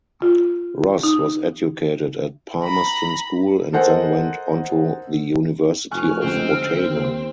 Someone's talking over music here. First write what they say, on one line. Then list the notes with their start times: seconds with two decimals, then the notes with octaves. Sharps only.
Ross was educated at Palmerston School and then went onto the University of Otago.
0.22 F4
1.03 D#4
2.64 A#5 B5
3.73 A4 A#4 C5 D#5 F#5 G#5
5.91 F1 G#5 C#6 F6 F#6
6.22 D2 C#3 G#3 C4
6.79 D#2